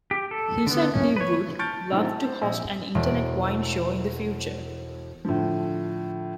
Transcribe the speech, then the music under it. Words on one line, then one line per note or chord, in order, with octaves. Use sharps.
He said he would, love to host an internet wine show in the future.
G4
A4
D3 B3
C#4
B4 C#5
A5 C#6 F6 G6 A6 D7
A2 D3 D#3 F#3 C4
A5
C5
A#1
E1 D7
A2 D3 F3